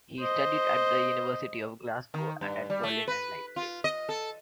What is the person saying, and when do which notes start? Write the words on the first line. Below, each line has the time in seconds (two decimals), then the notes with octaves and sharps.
He studied at the University of Glasgow and at Berlin and Leipzig.
0.20 C5 D#5
2.14 D#3
2.41 G2
2.70 G3
2.83 A3
3.08 B4
3.56 F4
3.84 D#5
4.09 A4